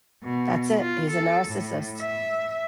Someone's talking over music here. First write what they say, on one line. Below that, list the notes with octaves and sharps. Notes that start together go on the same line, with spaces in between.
That's it, he's a narcissist.
B2
F4
A4
A2
E5